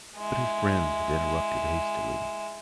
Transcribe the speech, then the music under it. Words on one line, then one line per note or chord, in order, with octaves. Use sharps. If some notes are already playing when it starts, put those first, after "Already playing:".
But his friend had interrupted hastily.
G#3 E4